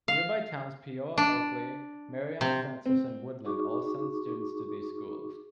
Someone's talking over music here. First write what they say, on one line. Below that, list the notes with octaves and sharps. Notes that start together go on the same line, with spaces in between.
Nearby towns Peoa, Oakley, Marion, Francis and Woodland all send students to these schools.
F5
D4
C3
C4
D#4 F#4 G#4 C#6 D6